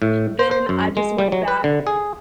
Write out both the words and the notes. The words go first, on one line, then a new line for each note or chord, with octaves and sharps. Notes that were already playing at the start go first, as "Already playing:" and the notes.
then, I just went back,
A2
C5
C5
F#2
G#3
G3
F#3
B4
D3
G#4